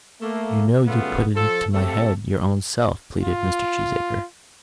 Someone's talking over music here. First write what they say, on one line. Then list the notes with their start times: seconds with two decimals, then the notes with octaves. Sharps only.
"You know you put it into my head your own self," pleaded Mr. Cheesacre.
0.21 A3 A#3
0.87 F#2 C#3 G3 A3 B3 F4
1.36 F3 A4
1.73 A3 C4 G4 A4
3.22 F4